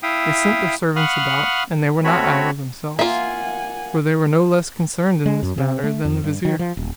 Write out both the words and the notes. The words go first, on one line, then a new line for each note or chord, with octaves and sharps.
They sent their servants about, and they were not idle themselves, for they were no less concerned in this matter than the vizier.
E4 E5 F5 G5 D#6
F5 F#5 B5 C#6 D#6 F6
A3 C4 F#4 C#5 B5
A#3 F4 E5 F#5 G#5
G#3
F#2
C3
A3
F2
G2
D#3
F3
D#1